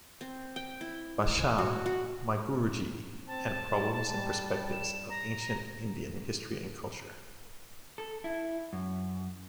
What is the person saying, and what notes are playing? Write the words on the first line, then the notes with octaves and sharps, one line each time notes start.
Basham, My Guruji and Problems and Perspectives of Ancient Indian History and Culture.
C4
G5
E4
G#5
F#4
F#4
C4 A5
G3
G3
E7
A#5
A4
E4
F#2